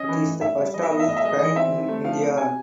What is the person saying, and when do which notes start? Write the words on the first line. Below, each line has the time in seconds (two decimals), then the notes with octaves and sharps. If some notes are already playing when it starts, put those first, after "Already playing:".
It is first of its kind in India.
Already playing: C#4 D#5
0.09 E3
0.25 A2
0.41 A2 E5
0.58 G3
0.74 E3 D#5
0.82 E5
0.90 B3 D#5
0.99 E5
1.07 A2 D#5
1.17 E5
1.23 G#3 D#5
1.39 E3 D#5
1.56 C4 E5
1.72 C3
1.88 A3
2.04 F3 F5
2.21 C3
2.37 C3 G#5